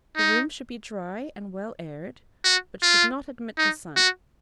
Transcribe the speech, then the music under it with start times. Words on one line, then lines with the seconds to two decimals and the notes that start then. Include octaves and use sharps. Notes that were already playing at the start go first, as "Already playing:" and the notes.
The room should be dry, and well aired, but should not admit the sun.
0.17 D#4
2.44 F#4
2.82 F4
3.58 D#4
3.96 F#4